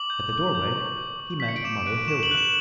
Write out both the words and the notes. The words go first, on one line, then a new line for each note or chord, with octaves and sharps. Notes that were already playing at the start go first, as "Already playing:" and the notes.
At the doorway he met Mother Hilda.
Already playing: D6 F#7
G6
D6
G6
C#6
G6
D6
G6 B6
C#7
D7
D6 E7
F#6 D7
C#6 E7
F#7
F#6
E7